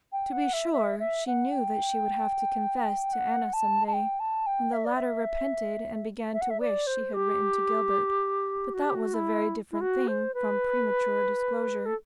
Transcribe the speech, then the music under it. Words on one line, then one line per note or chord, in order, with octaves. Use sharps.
To be sure, she knew that she would have to confess to Anna some day, when the latter repented and began to wish she had written to Gilbert, but that was a very different thing from premature disclosure.
G5
F#5
E5
E5
E5
F#5
G5
F#5
A5
A5
G5
A5
G5
E5
D5
E5
E5
F#5
E5
D5
C5
G4
F#4
G4
F#4
E4
E4
F#4
C5
B4
A4